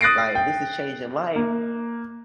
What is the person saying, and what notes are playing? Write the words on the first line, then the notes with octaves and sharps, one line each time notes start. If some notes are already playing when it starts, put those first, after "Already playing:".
like, this is changing life,
D#6 F#6 A6 A#6 C7 D7
G5
A#3